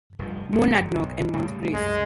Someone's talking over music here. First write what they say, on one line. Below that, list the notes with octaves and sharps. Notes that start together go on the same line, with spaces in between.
Monadnock and Mount Grace.
F1 G2 F3
F#1 E2 A#2
B1
A2 C#3 G3
C2 F#2 G#3